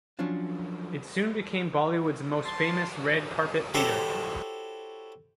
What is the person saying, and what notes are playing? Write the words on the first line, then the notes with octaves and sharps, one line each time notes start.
It soon became Bollywood's most famous red-carpet theatre.
F3 F#3 C#4 D4 F4
A5 C6
E4 F#4 G4 A4 C5 C#5